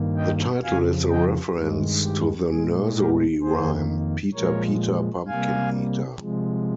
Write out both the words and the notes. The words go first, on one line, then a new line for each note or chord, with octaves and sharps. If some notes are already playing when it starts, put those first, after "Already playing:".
The title is a reference to the nursery rhyme "Peter Peter Pumpkin Eater".
Already playing: G2 D#3 A#3
D#5 G5
F2 C#3 F3 F5 G#5
D#5 G5
G2 D#3 G#3
G4
A#2 G#3 G#4
G4 A#4
F2 D#3 A#3 G#4 C5
A#2 F3 G#3 A#4 C#5
C3 G3 A#3 F5 G#5
C3 F3 G#3